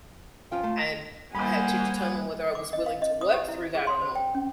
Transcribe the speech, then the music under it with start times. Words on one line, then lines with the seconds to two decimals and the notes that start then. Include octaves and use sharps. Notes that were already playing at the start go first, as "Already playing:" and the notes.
and I had to determine whether I was willing to work through that or not.
0.52 F3 C#4 F4 G5
0.63 A3 F5 A5
1.35 G3 A#3 C5 F#5 G#5 B5 D#6
2.55 D6
2.73 D#5
2.86 F5
3.02 D#5
3.21 D#6
3.34 G4
3.48 E4
3.75 G#4
3.87 C6
4.02 C5
4.15 G5
4.35 C#4